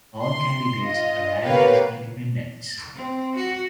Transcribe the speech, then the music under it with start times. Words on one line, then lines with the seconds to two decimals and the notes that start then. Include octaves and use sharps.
All candidates ran as independents.
0.23 C6
0.82 F4 D#5
1.44 A#3 B3 G4 B4 C#5 F5
2.96 C4
3.36 F#4